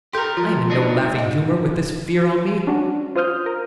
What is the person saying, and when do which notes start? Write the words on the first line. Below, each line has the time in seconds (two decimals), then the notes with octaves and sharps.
I am in no laughing humor with this fear on me.
0.13 G4 A4 A#4 C6
0.37 F3 F4
0.70 F#3 D4 D#4
1.01 G#2
1.19 D#5
2.67 C#4 D4 F#4
3.15 F4 C5 D#6 F6 G6
3.46 A#4